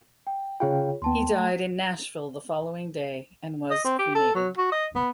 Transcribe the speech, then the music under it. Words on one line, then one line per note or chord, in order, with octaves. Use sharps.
He died in Nashville the following day and was cremated.
G5
C#3 F4 G#4 C#5 F5 G5
D#2 B3 G5 A5 C6
A3
D#5
C4
G4
A4
F#3
F#4
D#5
B3